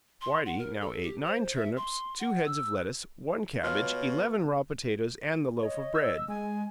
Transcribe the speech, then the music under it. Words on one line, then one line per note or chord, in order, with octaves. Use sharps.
Whitey now ate nine turnips, two heads of lettuce, one cabbage, eleven raw potatoes and the loaf of bread.
C6
F#5
A#4
A4
G4
C5
E5
C6
F#5
E6
B2 F4 C#5
C#5 D#5
E6
G#3 G#5